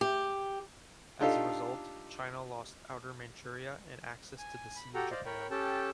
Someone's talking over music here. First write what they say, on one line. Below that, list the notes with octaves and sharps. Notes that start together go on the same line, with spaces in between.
As a result, China lost Outer Manchuria and access to the Sea of Japan.
G4
D4 D#4 F4 G4 A4 F5
G#5
B5
F#4 G4 A4 F#5 G5 A#5
C5 D5 D#5 F5
A#4 C#5 G5 B5
C#4 G4 A4 G5 A5